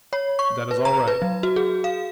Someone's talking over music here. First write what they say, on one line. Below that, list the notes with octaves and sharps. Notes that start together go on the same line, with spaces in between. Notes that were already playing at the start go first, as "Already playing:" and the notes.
"That is all right."
C#5
C#6
B4
A#5
B4
F#3
F#4
G#4
F5